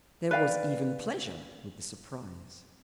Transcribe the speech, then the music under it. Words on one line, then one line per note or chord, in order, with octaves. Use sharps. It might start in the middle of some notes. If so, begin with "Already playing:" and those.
There was even pleasure with the surprise.
B4 D5 F5 G5